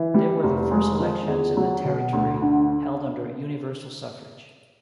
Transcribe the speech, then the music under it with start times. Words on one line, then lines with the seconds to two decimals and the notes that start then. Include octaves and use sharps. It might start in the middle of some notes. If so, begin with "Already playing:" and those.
They were the first elections in the territory held under universal suffrage.
Already playing: E3
0.14 G3
0.44 F1
0.71 G#3
1.00 F3
1.28 E2
1.57 F#3
1.85 B2
2.13 D2
2.42 D3